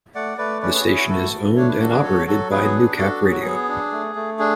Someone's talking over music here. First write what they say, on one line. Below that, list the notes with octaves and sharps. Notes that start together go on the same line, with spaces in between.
The station is owned and operated by Newcap Radio.
A3 D5 F#5
A3 B4 D5
C#4 B4 D5
G#4 B4
F#4
E4 G#4
F#4
G#4
A3 F#4 A4
A3
D4 C#5
B4
F#4 A4
G#4 B4
F#3 A4 C#5
F#3 F#4 A4
B3 G#4 B4
D4
F#4 A4
F#3 G#4
F#4
B3 G#4
D4
A3
A3
D4 G#4